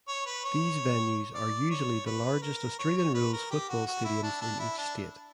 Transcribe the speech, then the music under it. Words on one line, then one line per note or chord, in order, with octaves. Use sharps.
These venues are usually the largest Australian rules football stadiums in each state.
C#5
B4
C#5
D5
C#5
B4
A#4
C#5
C#5
B4
A#4
G4
F#4
F#4
E4
D4
D4
E4
D4